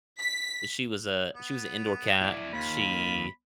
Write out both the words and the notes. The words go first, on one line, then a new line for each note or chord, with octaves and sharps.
She was a she was a indoor cat. She
B6
B3
E4 D5
D#2 F4 B5